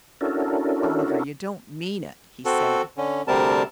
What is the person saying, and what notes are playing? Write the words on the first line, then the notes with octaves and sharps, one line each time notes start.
"Oliver, you don't mean it," he said.
C#4 D4 E4 F#4 A4 A#4
C4 F#4 A4
D3 C#4
D2 C3 G3 C4 A#4 A5